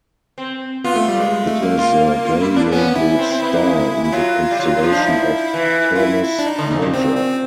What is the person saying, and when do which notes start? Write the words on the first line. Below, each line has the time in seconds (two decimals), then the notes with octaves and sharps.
It is a variable star in the constellation of Canis Major.
0.38 C4
0.84 B3 F4
0.96 A3
1.08 G3
1.20 G#3
1.31 G#3
1.47 A3
1.62 A#3
1.78 F4
2.25 F4
2.41 E4
2.56 D4
2.72 B3 C#4
2.95 E4
3.19 C4
3.30 C4
3.42 B3
3.54 A#3
3.66 G#3
4.04 E4
4.12 F#3 F4
4.51 G3
4.59 F#3
4.78 F#3
4.83 F3
4.92 D4
4.99 D#4
5.07 E4
5.54 E3
5.95 F4
6.00 E4
6.23 E4
6.39 D4
6.46 D#4
6.59 D3
6.71 C#3
6.82 C3
6.94 A#2 C4
7.17 C4